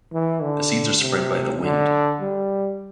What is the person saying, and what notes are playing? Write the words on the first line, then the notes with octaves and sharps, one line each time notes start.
The seeds are spread by the wind.
E3
D3
C3
D3
G3